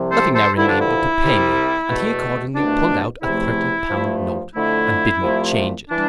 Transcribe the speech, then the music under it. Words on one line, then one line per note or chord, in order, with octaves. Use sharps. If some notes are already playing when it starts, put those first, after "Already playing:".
Nothing now remained but to pay me, and he accordingly pulled out a thirty pound note, and bid me change it.
Already playing: C2 C3 F3
A4 C5
A4 C5
G2 D3 F3 E4
D4
E4
C2 C3 G3
E2 B2 A3
C2 B2 A3 D4
E2 C3 F3 A3 E4
G2 F3 A3
F2 D3 A3 E4
C2 C3 F3 A3
E3 G3 D4